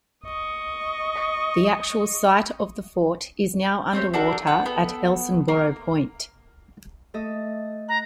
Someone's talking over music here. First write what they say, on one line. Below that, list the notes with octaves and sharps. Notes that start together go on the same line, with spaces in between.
The actual site of the fort is now under water at Elsinboro Point.
D#5 C#6
C4 C#4 G4 C#5
D4 F#4 A4 A#4
F#5 G5 A5
B3 A4
A#3 A#4
A3 A4 D#5
A#5 F#6